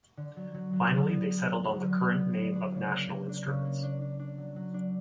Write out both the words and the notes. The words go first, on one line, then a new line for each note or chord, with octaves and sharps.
Finally, they settled on the current name of National Instruments.
D3
F#3
F#3
F#3
D3
B3
B3
B3
F#3
D3
B3
B3
D4
D4
C#3
A#3
A#3
D4
C#3
A#3
D4
D4
D4
F#3
F#3
D4